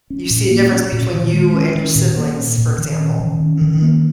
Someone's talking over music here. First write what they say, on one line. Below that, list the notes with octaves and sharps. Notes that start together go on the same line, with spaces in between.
You see a difference between you and your siblings, for example. Mhm.
C#4
A#2
A#3
C#4
A#2
D#3
G#3
C#4
D#3
A#2
A#3
C#4
A#2
D#3
C#4
D#3
C#4
D#3
A#3